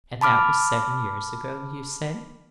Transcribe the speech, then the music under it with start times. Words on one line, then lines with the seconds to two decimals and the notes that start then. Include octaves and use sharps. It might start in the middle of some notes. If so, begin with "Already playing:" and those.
'And that was seven years ago, you say?'
0.21 A5 B5 D6 F6